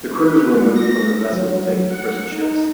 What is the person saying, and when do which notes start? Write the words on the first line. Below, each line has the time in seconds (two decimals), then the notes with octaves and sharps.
The crews were removed from their vessels and taken to prison ships.
0.15 B4
0.54 G3
0.76 A#6
1.33 F#3
1.91 F#5
2.32 D#4